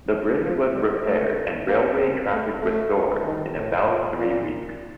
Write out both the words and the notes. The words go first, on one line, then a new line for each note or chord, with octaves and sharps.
The bridge was repaired and railway traffic restored in about three weeks.
F3
G3
A3
A#3
C4
A3
A3
D#3
A2
A#2
A#2